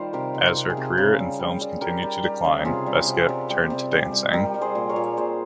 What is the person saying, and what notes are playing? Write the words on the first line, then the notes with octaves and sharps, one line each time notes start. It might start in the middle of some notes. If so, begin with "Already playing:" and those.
As her career in films continued to decline, Basquette returned to dancing.
Already playing: D#3 G3 F4 C5
C3 G4 A#4
C3
C3
F4 G#4
C3
C#3
G3
G3
G3
G3 G4 A#4
G3
G3
C#3
C3 F4 G#4
G3
C3
C3
G3
C3
G3
G3
G3 G4 A#4
G3
G#4 C5
A#2
A#4 C#5
A#2
A#2 G#4 C5